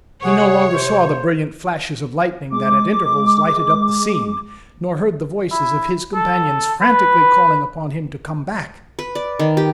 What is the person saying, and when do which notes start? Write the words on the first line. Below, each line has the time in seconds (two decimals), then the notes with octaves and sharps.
He no longer saw the brilliant flashes of lightning that at intervals lighted up the scene, nor heard the voices of his companions frantically calling upon him to come back.
0.24 C3 G#4 C#5 F#5
0.73 C3 C5
2.52 G#3 D6
5.52 E4
6.15 A4
6.82 B4
8.99 B4
9.15 D5
9.39 D#3
9.57 G4